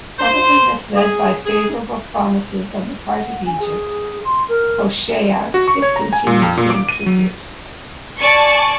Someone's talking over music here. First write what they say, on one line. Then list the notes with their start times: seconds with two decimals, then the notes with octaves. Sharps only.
Probably misled by favorable promises on the part of Egypt, Hoshea discontinued paying tribute.
0.19 C5
0.95 G#4
1.45 G#4
3.10 F#5
3.46 G#5
3.60 G#4
4.25 C6
4.49 A#4
5.54 F#4
5.68 C#6
5.82 C#5
5.96 A#5
6.13 G#5
6.27 A#2
6.42 F2
6.57 A#2
6.70 D6
6.89 D#7
7.06 F#3
8.19 D5 G#5 A5 C#6